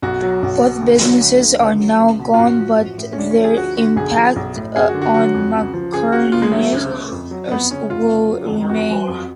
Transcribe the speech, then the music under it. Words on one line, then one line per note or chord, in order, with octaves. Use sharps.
Both businesses are now gone, but their impact on Macquariums will remain.
B1 F#4
F#3
B1
B2
D2
F#3
D2
D3
C#2
F#3
C#2
B2
F4
A1 F#4
F3
A1
A2
C#4
D2 D4
C#4
F3
G#4
D2 F#4
D3 F#4
B1 G#4
F3
B1
A2
F#1 G#4
F#4
D3
F#4
F#3 F#4
F2
C#2
F3
C#2 G#4
C#3 F#4
C#2 F4
G#3
F#3 A3
A3
C#2
C#3
F2
F#3
F2 B3
C#3 C#4
F1 F4
C#3
F#3
F2
F2 F#4
F#3
F2